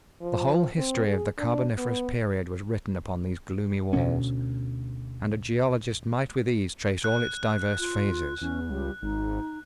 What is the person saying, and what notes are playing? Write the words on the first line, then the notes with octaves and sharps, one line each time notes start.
The whole history of the carboniferous period was written upon these gloomy walls, and a geologist might with ease trace all its diverse phases.
F3
C4
G#4
D4
B3
D2 B2 B3 C#4
F#6
F4
E2 C#4
C#2 G3
G#1 D#4